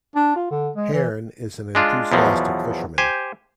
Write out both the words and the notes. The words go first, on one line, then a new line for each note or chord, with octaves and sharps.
Hearn is an enthusiastic fisherman.
D4
F4
D3
G#3
E3
G#3 D4 F4
E2 B2 F3 F#3
G4 C5 G#5